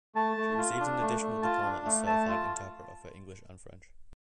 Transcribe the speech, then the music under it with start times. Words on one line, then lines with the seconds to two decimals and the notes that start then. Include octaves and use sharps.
She received an additional diploma as certified interpreter for English and French.
0.15 A3 A5
0.37 A3
0.58 F4
0.80 D4
1.01 A3
1.22 A3
1.43 F4 A5
1.64 D4
1.85 A3
2.07 A3 A5
2.28 F4